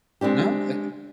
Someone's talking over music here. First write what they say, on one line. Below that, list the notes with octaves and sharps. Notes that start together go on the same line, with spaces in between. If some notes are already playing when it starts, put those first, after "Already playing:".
No, uh
G#3 C4 D4 G4